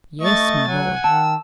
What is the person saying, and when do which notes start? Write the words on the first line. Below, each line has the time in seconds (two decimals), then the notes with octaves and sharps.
"Yes, my Lord!"
0.21 A3 D#5 C#6 A6
0.68 F#3 F#5 G#5
1.04 D#3 A5 E6